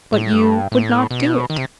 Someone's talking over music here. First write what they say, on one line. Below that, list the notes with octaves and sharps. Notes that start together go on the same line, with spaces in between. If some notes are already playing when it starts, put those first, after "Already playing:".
But you would not do it.
A2
G2
A2
B2
D#3
C3